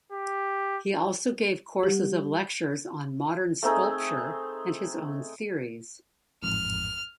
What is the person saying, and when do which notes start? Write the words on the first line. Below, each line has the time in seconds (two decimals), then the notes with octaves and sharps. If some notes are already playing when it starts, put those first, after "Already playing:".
He also gave courses of lectures on modern sculpture and his own theories.
0.12 G4
1.83 G3 G4
3.62 A3 C4 D#4 G#4
6.43 A1 F2 G#2 F6